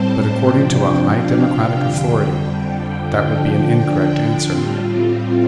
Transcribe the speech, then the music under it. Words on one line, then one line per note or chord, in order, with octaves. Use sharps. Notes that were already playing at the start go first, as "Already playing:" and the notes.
But, according to a high Democratic authority, that would be an incorrect answer.
Already playing: A2 G3 C4 C5 A5
C3 F3 D4 G5
F5
G5
F2 D3 G3
D3 F3 D4 G5
A2 G3 C4 F4